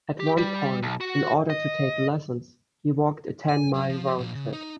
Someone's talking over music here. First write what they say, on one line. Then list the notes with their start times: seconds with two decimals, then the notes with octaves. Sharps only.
At one point, in order to take lessons, he walked a ten-mile round trip.
0.20 G4
0.37 G3
0.83 B1
1.01 F#4
1.50 D#5
3.49 G#5
3.74 F#3
3.89 F3
4.18 A#2 F3
4.35 C#3
4.53 D#4